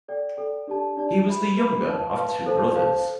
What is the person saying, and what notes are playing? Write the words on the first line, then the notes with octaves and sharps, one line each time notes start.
He was the younger of two brothers.
A4 D5 G5
A4 D5 G5
D4 G4 D5 A5
D4 G4 D5 A5
B4 E5 B5
B4 E5 B5
B4 F5 A5
B4 F5 A5
A4 C5 F5 A5
A4 C5 F5 A5